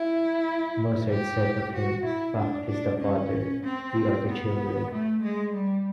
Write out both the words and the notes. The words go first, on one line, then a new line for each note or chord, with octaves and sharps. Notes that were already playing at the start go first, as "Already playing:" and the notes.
Mozart said of him, Bach is the father, we are the children.
Already playing: E4
G4
F#4
E4
D4
D4
C#4
C4
B3
A3
G#3
G3